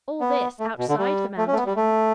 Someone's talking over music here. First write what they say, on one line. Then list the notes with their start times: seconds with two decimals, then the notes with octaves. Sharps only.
All this outside the mountain!
0.21 B3
0.60 A3
0.79 B2
0.88 D3
0.98 G3
1.37 A3
1.48 C#4
1.53 A3
1.57 B3
1.66 G3
1.76 A3